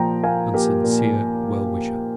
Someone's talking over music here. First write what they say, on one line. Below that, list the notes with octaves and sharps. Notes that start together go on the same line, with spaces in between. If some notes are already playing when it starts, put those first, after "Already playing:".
And sincere well-wisher.
Already playing: A#2 F3 G5 A#5
A#3 F5 G#5
A#3 G4 A#4
A#2
A#2